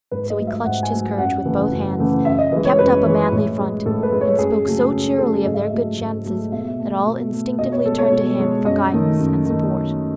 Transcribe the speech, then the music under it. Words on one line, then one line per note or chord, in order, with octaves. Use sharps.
So he clutched his courage with both hands, kept up a manly front, and spoke so cheerily of their good chances, that all instinctively turned to him for guidance and support.
G#2 B4
D#5
F#3 A3
E5
G#2 F#5
G#5
F#3 A3
F#2 F#5
C#3 E3 A3
F#2
C#3 E3 A3
F#2 E5
D#5
E3 G#3 D#5
C#5
F#2 B4
E3 G#3
A2
G#3
A2 A4
B4
G#3
C#5
F#2 G#4
C#3 F#3 A3
F#2
C#3 F#3 A3 A4
G#2 D#5
E5
D#5
F#3 A3
G#2
F#3 A3
B2 E5
A3
B2
A3
B2 D#5
C#5
G#3 A4
C#5
B2
G#3
F#2 D#5
D#3 A3
F#2
D#3 A3